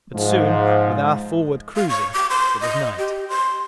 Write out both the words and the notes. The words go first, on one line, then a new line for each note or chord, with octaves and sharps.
But soon, with our forward cruising, it was night.
G#2 F3
F5
C#6
D6
C6
D#5
G4
C6